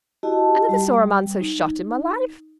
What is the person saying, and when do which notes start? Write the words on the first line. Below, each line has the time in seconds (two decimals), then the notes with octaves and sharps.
I never saw a man so shot in my life.
0.23 E4 F#4 G4 D#5 A5
0.69 G3
1.41 D#4